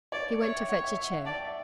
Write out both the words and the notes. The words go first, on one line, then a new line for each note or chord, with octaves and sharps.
He went to fetch a chair.
C#5 D5
C#5 E5
G5
C#5 F#5
E5
E5
F#5
D5 A5
G5
E5